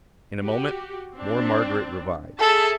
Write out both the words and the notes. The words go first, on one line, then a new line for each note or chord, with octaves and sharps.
In a moment more Margaret revived.
F#4 G4
C4 D4
G#4 A4 E5 A5